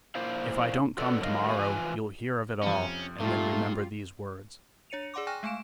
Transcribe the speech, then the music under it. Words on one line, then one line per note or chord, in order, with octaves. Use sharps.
If I don't come to-morrow, you'll hear of it all, and then remember these words.
A#2 A#3 E4 C5 F5
F4 A4 B4 D5 F#5
D3 F#3 A#4 D#5 F5
G#3 F#4 A#4 F5 G#5
E3 F4 B4 G#5
F2 C3 C#4
A#2 G3 A3 F4
D4 C#5 C#7 D#7 F7
G#4 D5 F#5 C6 D6
G5 G#5 C#6 F6 F#6 A#6
G#3 A3 F5 G#5 D7 E7